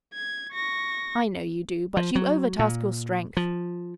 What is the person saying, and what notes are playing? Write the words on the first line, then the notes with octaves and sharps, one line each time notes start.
'I know you do, but you overtask your strength.
G#6
C#6 A#6
F3
F#3
A#2
F3